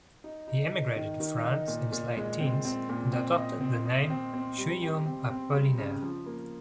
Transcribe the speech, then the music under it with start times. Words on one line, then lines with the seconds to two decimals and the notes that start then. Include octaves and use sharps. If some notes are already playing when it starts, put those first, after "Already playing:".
He emigrated to France in his late teens and adopted the name Guillaume Apollinaire.
0.24 D#4
0.48 D#4
0.72 D#4
0.96 D#3
1.20 D#3
1.45 D#4
1.68 A#2
1.92 A#2
2.17 G#3
2.40 C4
2.65 C4
2.89 A#2
3.13 C4
3.37 D#5
3.61 C4
3.86 D#5
4.10 C4
4.34 C4
4.57 G3
4.82 G4
5.06 C4
5.29 C4
5.55 G3
5.78 C#3
6.02 F3
6.26 A#3